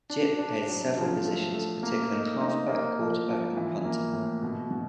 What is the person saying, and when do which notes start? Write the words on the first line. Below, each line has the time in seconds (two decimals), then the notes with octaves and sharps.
Gipp played several positions, particularly halfback, quarterback, and punter.
0.10 D4
0.38 D4
0.67 F#3
0.97 F3
1.25 A3
1.54 A3
1.83 A#3
2.12 D#4
2.41 D#4
2.69 A#3
2.99 F3
3.27 F3
3.56 E3
3.85 A#3
4.13 A2
4.42 B2
4.72 B2